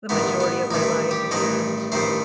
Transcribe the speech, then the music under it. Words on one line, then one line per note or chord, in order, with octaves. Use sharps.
the majority of my life, and
A1 G2 D#3 A3 B3
B3
A1 G2 D#3 A3 D#4
G4
A1 G2 D#3 A3 D#5
A1 G2 D#3 A3 C5